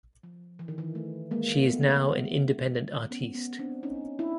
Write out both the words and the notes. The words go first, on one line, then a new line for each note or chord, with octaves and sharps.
She is now an independent artiste.
F3
E3
D#3
E3
A3
G#3 A#3
A3 B3
B3 C#4
B3 C#4
C4 D4
C#4 D#4
D4 E4